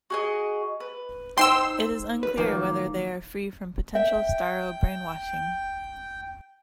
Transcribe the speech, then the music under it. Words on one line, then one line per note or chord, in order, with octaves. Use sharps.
It is unclear whether they are free from potential Starro brainwashing.
F#4 G#4 D#5
B4
D#4 C5 G5 C6 E6
B4
A2 D#3 F3 A#3
E5 G5